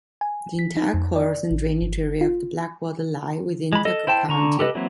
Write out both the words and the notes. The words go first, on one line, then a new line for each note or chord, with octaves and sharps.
The entire course and drainage area of the Blackwater lie within Tucker County.
G#5
B6
D#4
F2
D5
A1
G1
F4
G#3 B5
A4 D#5
E4 C5 G5 A5
D3 A#5 C#6
G4 A4 B4 D#5
E3 F#3 A#3 C4 E4